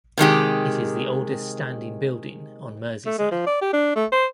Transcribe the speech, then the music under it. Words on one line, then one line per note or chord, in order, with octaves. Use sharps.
It is the oldest standing building on Merseyside.
C3 D#3 G#3 G4
A3
G#3
F3
D5
G4
D4
A3
C5